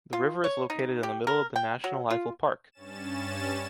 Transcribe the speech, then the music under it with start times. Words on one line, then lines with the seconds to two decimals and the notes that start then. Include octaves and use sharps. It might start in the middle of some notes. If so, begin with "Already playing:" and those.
The river is located in the middle of the National Eifel Park.
0.13 F4
0.44 C#5
0.70 D#4
1.03 G4
1.27 A#4
1.56 G5
1.84 F#3
2.10 F4
2.72 G2 C#4 A6 E7